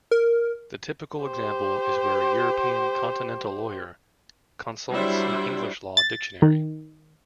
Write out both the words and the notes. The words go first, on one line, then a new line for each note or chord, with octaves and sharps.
The typical example is where a European continental lawyer consults an English law dictionary.
A#4
G4 C5
F#3 G3 D4 E4 C5 E5
A6
D#3